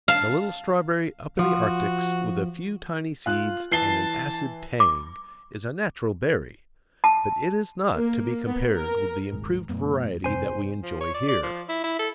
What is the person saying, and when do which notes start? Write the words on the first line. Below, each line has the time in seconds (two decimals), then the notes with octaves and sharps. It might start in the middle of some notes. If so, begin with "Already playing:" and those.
The little strawberry up in the arctics with a few tiny seeds and an acid tang is a natural berry, but it is not to be compared with the improved variety that we enjoy here.
0.08 F5 A5
1.39 F3 F#4
3.26 F4 F#6
3.71 E3 A5 C7 G7
4.80 D6
7.04 A5
7.95 A#3
8.45 B3
8.75 A#4
9.33 D#1 C2 G#2
9.69 F#2 B2 A3 B3
10.24 F1 C3 C4 C5 G#5
10.83 F3
11.01 C#5
11.14 D5
11.28 D5
11.43 F3
11.69 E4
11.83 E4
11.99 A4